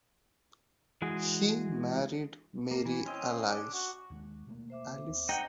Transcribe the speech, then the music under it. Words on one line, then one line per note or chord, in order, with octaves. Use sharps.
He married Mary Alice.
E3 G#3 F#4 G#4
A#3
E3
C4 C#4 D#5
D4
F#4
D#2 D#3 G#3
B2 A3 A#3
C5 E5 D6
D#2 B3 C4
D#4 F#5 G5